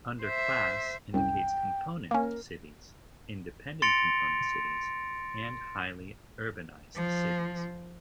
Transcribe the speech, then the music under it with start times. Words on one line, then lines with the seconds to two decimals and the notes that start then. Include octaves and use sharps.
Under class, indicates Component cities, Independent Component cities, and Highly urbanized cities.
0.22 C5 E5
1.14 C2 F#2 G5
2.11 A#3 C#4 A#4
3.82 C6 A6 A#6 C#7 D7 F7
6.95 F3